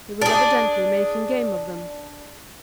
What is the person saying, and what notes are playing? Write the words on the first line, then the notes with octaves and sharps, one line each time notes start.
He was evidently making game of them.
D4 G#4